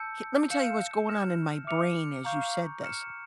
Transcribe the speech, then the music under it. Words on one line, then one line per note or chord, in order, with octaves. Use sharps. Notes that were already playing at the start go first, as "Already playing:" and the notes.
h let me tell you what's going on in my brain as you said this:
Already playing: A5 E6 G6 C#7
F5 G6 C#7 E7
F6 A#6 E7
E5 D6 F6 C#7 F7
F5 A#5 C#6 G6
F6 C#7 E7